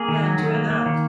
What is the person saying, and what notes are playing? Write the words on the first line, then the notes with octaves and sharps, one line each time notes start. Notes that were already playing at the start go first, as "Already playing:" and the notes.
Yeah, I enjoy that.
Already playing: A#3 G#4
D#3
F#3
D#3
A#3
A#3
D#3